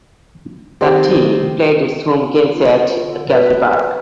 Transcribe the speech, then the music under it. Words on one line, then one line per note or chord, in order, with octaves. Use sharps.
The team played its home games at Calfee Park.
D#3 C4 G4
F4
D3
B4